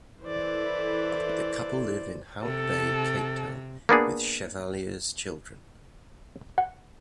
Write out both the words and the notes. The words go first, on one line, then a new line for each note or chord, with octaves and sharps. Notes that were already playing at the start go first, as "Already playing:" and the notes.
The couple live in Hout Bay, Cape Town with Chevallier's children.
E3 E4 A4 C5 D5
C3 A4
A#3 B3 D4 G#4
F#5